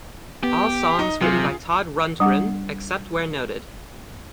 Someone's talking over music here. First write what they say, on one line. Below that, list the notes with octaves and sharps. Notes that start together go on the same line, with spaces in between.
All songs written by Todd Rundgren, except where noted.
B3 G4
D#4
C3 F#3 F4 G#4
G3 D4 F#5 D6